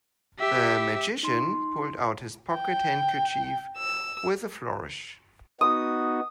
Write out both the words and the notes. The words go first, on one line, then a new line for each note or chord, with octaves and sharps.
The magician pulled out his pocket handkerchief with a flourish.
G4 E5
D#4 C6
G5
E6
B3 D#4 F#4 D#6